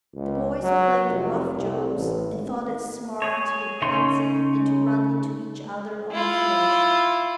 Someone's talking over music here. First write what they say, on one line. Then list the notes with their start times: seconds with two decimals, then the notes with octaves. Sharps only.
The boys played rough jokes and thought it smart to be clumsy and to run into each other on the floor.
0.14 C#2
0.62 F#3
1.08 F1
1.56 C2
1.93 A1
2.28 G#1
3.22 G#4 C#5
3.82 C#3 C#4 D#4 C#5 C6
6.12 E4 F4